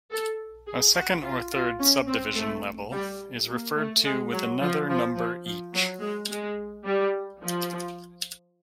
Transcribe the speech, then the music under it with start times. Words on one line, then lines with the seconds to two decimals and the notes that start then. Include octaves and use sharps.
A second or third subdivision level is referred to with another number each.
0.11 A4
0.67 G#4
0.95 F#4
1.23 F4
1.52 F4
1.80 C#4
2.08 C4
2.36 A3
2.93 G3
3.48 A#3
3.76 A3
4.04 G#3
4.33 F#3
4.61 F3
4.89 F3
5.17 F3
5.46 F3
5.73 F#3
6.01 G#3
6.29 G#3
6.86 G3
7.42 F3